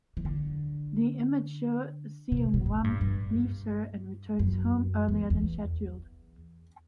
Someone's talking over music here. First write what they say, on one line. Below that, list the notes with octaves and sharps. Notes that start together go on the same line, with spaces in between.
The immature Seung-wan leaves her, and returns home earlier than scheduled.
E3
D3
C3
B2
A2
G2
G2
F#2
E2
E2